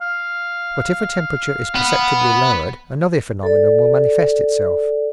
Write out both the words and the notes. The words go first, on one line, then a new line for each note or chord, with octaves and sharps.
But if a temperature is perceptibly lowered another phenomenon will manifest itself.
F5
B3
A4 D5